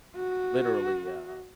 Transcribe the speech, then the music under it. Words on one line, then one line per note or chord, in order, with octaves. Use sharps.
um, literally, uh
F#4